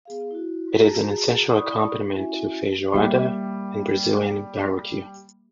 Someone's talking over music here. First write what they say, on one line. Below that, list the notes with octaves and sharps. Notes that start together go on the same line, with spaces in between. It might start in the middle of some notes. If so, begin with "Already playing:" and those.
It is an essential accompaniment to "feijoada" and Brazilian barbecue.
B3 G#4 F5
E4 F#4
F#4 G#4 A5 A#5
E4 D5 F#5 B5 C#6 D#6
C#4 E4 F#4 E5 G#5
G3 A#3 G4 E5